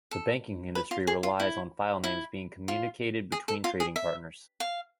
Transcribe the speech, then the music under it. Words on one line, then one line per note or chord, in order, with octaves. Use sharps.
The banking industry relies on filenames being communicated between trading partners.
A4
B4
F4
G#4
F4
E4
E4
F4
G#4
A4
F4
G#4
E5
F5